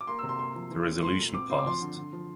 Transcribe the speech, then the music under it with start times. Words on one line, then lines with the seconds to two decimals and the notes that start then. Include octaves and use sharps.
The resolution passed.
0.01 D6
0.07 A#3 C6
0.19 C3 E6
0.29 C6
0.39 A#3 C6
0.55 F3
0.71 E3
0.87 C4
1.02 A3 C6
1.19 A#2
1.34 C4 D6
1.50 C4 C6
1.59 D6
1.66 F3 C6
1.81 D3
1.97 D3
2.13 F3